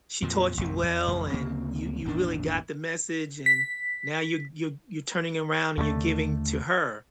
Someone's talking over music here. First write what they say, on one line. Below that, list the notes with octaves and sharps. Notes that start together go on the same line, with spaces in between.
she taught you well, and you you really got the message, and now you're you're you're turning around and you're giving to her,
F2 A#2 F3
A1 F2 C3
E2
A1 F2 C#3
D2 C#3 A#3 C4
G#1 E2 A#2 D4
B6
D#2 D3 F#3 A3